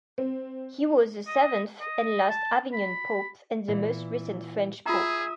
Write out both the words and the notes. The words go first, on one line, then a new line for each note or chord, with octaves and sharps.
He was the seventh and last Avignon pope and the most recent French pope.
C4
D#5
D#5
A5
B5
A#2 E3
F4 G#4 E5 A#5 D#6